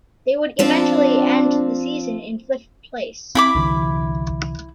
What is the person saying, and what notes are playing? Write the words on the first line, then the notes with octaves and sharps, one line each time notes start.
They would eventually end the season in fifth place.
F3 C4 D4 C5
C4 E4 B5 D6
C2 D3 E3